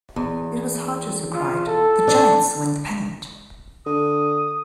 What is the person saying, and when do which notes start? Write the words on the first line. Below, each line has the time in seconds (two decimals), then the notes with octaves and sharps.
It was Hodges who cried, The Giants win the pennant!
0.16 E2
1.35 F4
1.67 A4
2.08 D4
3.86 D3 D#6